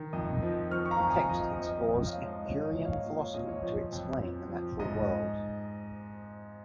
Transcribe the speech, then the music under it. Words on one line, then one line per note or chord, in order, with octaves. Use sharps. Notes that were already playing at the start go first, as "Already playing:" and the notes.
The text explores epicurean philosophy to explain the natural world.
Already playing: D#3
F2 D#5
F3
F3 C#6 F6
C#6
F5 A#5
F2
D#5 G#5
F3 D#5
D#5
F3
D#5
F3 D#5
C#5 F5
G#2
D#5
F3 C#5
C#5
D#5
A#2
C#5 F5
A#2
C#5
A#2 D#5
C#5
F3 C#5
F2
F3
F3
G#2 D#5